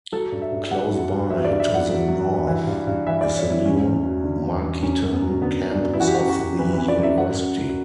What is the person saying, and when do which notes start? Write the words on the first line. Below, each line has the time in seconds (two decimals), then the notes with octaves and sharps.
Close by to the north is the new Markeaton campus of the university.
0.12 F#3 A4
0.32 G2
0.42 E5
0.52 G2
0.71 F#3 F#5
0.91 F#3
1.10 G2
1.30 F#3 E5
1.45 D5
1.50 G2
1.60 E5
1.69 G2
1.74 F#5
1.89 F#3
2.08 F#3
2.28 G2
2.47 E3
2.67 G2
2.87 G2
3.07 E3 E5
3.21 D5
3.26 E3
3.36 C#5
3.46 G2 E4
3.65 E2 C#4
3.85 E2
4.04 F#3
4.24 D3
4.43 E2
4.63 E2
4.83 F#2 C#4
5.02 F#2
5.12 B3
5.22 F#3
5.41 D3 B3
5.61 F#2
5.71 D4
5.81 F#2
5.93 E4
6.00 E3 F#4
6.07 G4
6.15 F#2 F#4
6.29 F#4
6.40 F#2
6.59 E3 B4
6.73 E3 B4
6.88 D5
6.98 F#2 E5
7.18 F#2 F#5
7.37 F#2
7.57 F#3